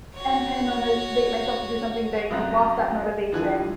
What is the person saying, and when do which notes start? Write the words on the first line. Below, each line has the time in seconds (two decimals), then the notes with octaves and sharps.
am trying to motim motivate myself to do something big, have lost that motivation,
0.15 F#4 C#5
2.30 B1 F#2 C4 F#6
3.33 D3 E3 F3 G#5 F#6